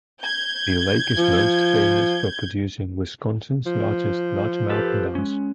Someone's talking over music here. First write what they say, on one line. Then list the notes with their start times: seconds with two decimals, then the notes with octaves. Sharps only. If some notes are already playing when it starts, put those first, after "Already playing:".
The lake is most famous for producing Wisconsin's largest largemouth bass.
0.21 G6 G#6
1.18 F3
3.66 F3
4.70 G4 A4 B4
5.15 G#3 C#4